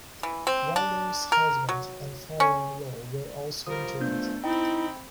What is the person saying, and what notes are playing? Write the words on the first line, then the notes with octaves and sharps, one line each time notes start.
Wilder's husband and father-in-law were also injured.
E3
C4
D4
A#4
F#3
C#4
F3 G3 A#4 D#6
A3 B3 D4 G6
C4 D#4 E4 G5 B5